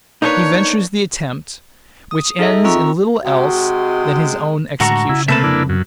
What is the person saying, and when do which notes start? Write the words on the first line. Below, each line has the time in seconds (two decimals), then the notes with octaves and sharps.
He ventures the attempt, which ends in little else than his own execution.
0.22 A#3 D4 D#4 B4 C#5
2.11 D#6
2.39 D#4 G#4 A4 D#5 E5
2.64 C4 F4 A#5 C#6 E6
3.25 C3 G#3 F#4
4.80 A2 D3 G#3 F#4 A4 A#5 C#6
5.09 C#3 E4
5.28 C3 A3 A#3 A4 B4 E5 A5
5.44 C2 F2 A#3 D4 E4
5.69 F#2